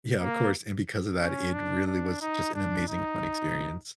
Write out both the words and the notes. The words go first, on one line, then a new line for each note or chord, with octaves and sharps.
Yeah, of course, and because of that, it really was just an amazing, fun experience.
A#3
C#4
D4
D4
D#4
D4
D#4